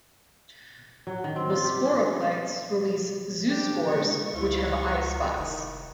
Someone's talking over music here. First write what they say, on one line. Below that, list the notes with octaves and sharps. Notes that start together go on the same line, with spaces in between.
The sporophytes release zoospores which have eyespots.
F#3
D#3
C4
F4
G4
C#4
F2 F3 D4 G4
E3 G#3 C#6
C#2 G#2 E4 F4 C5 E5
F1 D#3